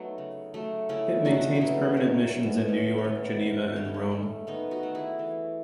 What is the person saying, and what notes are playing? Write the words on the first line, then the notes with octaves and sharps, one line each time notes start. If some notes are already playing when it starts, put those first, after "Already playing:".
It maintains permanent missions in New York, Geneva, and Rome.
Already playing: F#3 A3 B3 D#4
C#3
F#3 A3
C#3 C#4 E4
F#3 A3 D#4 F#4
E4
C#3 B3 D#4
F#3 A3 C#4
D#3 C#4
B3
B3
A3 C#4
C#4
D#3 B3
A3
D#3 C#4
D#4
C#4
A3
D#3 B3 D#4
D#4 F#4
A3
E4 G#4
E3